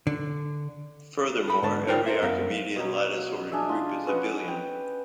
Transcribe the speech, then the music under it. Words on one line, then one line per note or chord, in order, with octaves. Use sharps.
Furthermore, every archimedean lattice-ordered group is abelian.
D3
A4 B5
G#2 D3 A5
D#4 F4 A#4 C5 D5 G5
A#4 C5 E5
F#2 B3 A#4 E5 F5
B2 F#3
D4 G#4 D#5 E5
F4
C#4 B4 D#5 F#5
G5